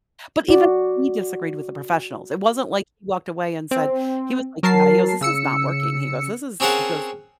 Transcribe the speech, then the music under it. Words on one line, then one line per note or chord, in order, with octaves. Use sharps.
But even he disagreed with the professionals. It wasn't like he walked away and said he was like, "No." He goes, "This is not working." He goes, "This is" He goes,
F#4 D5
C4
F#3 A#4 A5 C7
C#3 E6 C#7
C4 C#4 G#4 A#4 F#5 A5